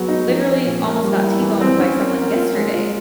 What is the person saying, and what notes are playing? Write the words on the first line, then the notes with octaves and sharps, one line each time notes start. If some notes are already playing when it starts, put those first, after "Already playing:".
literally almost got t-boned by someone yesterday
Already playing: F#3 B3 G#4
D#4
F3
C#4
A#2
A#3
G3
E4
E3
C4
C#4
A#4
A#3
F4
G#3
F4